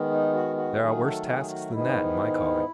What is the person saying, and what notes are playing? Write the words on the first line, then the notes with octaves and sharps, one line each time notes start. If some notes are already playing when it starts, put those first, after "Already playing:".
There are worse tasks than that, in my calling.'
Already playing: D#3 G#3 B3
D#4
F#4
F#4
D#3 F#3 A3 G#4
A4
G#4
F#4
G#2 D#3 G#3 B3 D#4 E4